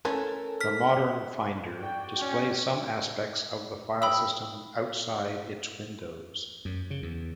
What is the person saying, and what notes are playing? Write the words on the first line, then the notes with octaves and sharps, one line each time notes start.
The modern Finder displays some aspects of the file system outside its windows.
E3 A3 C#4 A4 A#4
F6 B6
F#4 D5 G5
C#4
G5 B5 D#6 E6
F#2
C#3
E2